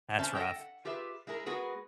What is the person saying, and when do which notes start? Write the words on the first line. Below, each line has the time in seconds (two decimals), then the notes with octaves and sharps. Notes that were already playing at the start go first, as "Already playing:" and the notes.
That's rough.
0.19 C#4 C5 D5 E5 A5 A#5
0.35 A4 A#4 D#5 E5 G5
0.56 F#5
0.85 F4 G4 G#4 B4 E5
1.27 G#3 E4 G#4 A#4
1.46 G#3 B3 F#4 G#4 A#4 B4